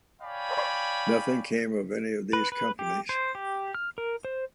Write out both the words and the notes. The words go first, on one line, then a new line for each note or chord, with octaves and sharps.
Nothing came of any of these companies.
C#5 D5 F5 G5 G#5 B5
B4
B4
G4
C5
G4
F6
A#4
C5